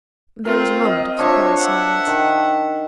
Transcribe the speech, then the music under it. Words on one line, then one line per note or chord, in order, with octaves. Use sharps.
There was a moment of surprised silence.
C4 F4 A#4
D#5
F3 D4 C#5 E5 A#5
E5 F#5
D#3